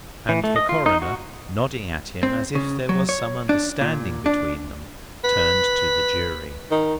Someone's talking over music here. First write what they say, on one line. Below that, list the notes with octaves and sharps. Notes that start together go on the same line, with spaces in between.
And the coroner, nodding at him as if there was some understanding between them, turned to the jury.
E3
A3
D#5
F4
D#4
F#4
C4
C#3
F#3
C#5
D4
A#2
D4
B4
D#3